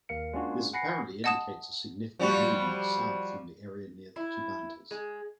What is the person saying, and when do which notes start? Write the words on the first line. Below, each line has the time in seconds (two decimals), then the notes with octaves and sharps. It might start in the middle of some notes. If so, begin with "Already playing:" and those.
This apparently indicates a significant movement south from the area near the Tubantes.
0.09 D#2 A#4 F5 C#7
0.33 G#3 A#3 C#4 D4 F4 F#4
0.73 F#5 G#5 B5 A#6 C7 C#7
1.24 D#5 F#5 A5 D#6 E7
2.19 F3 G3 F#4
4.16 E4
4.91 G#3